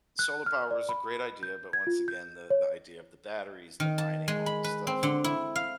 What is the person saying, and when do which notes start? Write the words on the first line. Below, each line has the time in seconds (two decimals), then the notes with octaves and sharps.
solar power is a great idea, but, once again, the the idea of the batteries, the mining, all the stuff,
0.19 F#6
0.46 F6
0.71 D5
0.89 B5
1.43 G6
1.73 G#6
1.87 F4
2.08 G6
2.50 C#5
3.80 D#3
3.98 A5
4.28 G#3
4.46 B5
4.64 B4
4.87 C4
5.03 D3
5.24 E4
5.56 F5